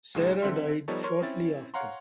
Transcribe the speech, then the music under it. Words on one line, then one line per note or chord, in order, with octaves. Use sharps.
Sara died shortly after.
C#2 A#2 G#3 D#4 E7
D3 C4 E5 C6
F3 G3 B3 D#4 A4 C#5
A#4 C#5 C6
C4 C#4 E4 A6
C#5 F5 F#5 A#5 C6